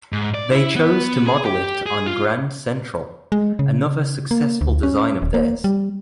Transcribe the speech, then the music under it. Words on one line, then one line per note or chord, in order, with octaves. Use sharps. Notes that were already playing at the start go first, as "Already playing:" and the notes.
They chose to model it on Grand Central, another successful design of theirs.
G#2
D5
E4
B3
G#4
G4
G#4
F4
G#3
C#3
A#3
D2
C#4
D#1
A#3
G3